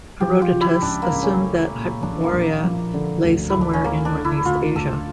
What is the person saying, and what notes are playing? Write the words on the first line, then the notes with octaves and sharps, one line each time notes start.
Herodotus assumed that Hyperborea lay somewhere in Northeast Asia.
F3 G4
F4
C#3
E4
C#2 D4
A#3
C#2
C#4
A3
A#2
A#1 D4
A#3
A#1
F3
D3
D2
D2 E4
D4
C#4
A3 A#3
D4
D3
E4
D2 F4
D2 A4